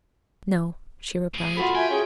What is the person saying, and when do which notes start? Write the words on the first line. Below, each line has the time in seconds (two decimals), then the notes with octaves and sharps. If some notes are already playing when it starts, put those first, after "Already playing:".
"No," she replied.
1.34 A2 G#4
1.57 F4 F#4 A4 B5
1.75 E5 G5 G#5
1.90 C#4 G#4